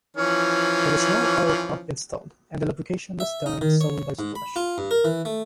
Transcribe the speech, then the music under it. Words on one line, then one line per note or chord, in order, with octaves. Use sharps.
There was no oil pump installed and the lubrication was done solely by splash.
E3 F3 C#4
E5
D#4
D#3
C#5
G#2
B5
F4
G2
A#4
E3
A3